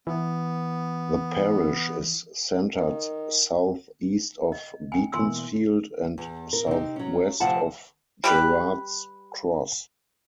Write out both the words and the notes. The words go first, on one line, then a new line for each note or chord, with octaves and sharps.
The parish is centred south-east of Beaconsfield and south-west of Gerrards Cross.
E3 B3
D#3
D#5
G5 G#5
B2 E3 A#3 G#5 C6 E6
E2
A#4
C3 D#4
F#3 C#4
D2 C3 F3 F5 F#5 A5
G3 G4 B4